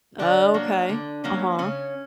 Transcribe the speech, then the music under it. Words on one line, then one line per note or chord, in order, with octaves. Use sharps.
Okay, uh-huh.
D3 D4
F#3 A#3 C#4
D3
F#3 A#3 C#4
C#3 C#4